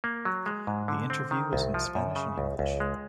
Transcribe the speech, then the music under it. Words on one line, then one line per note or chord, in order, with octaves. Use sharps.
The interview was in Spanish and English.
A#3
F#3
G#3
G#2
D3
C4
D#3
C2
F3
F#2
C#3
C#2
C#2
G#3